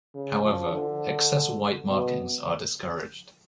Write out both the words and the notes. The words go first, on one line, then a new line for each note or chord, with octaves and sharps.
However, excess white markings are discouraged.
C#3
F3
D3
B2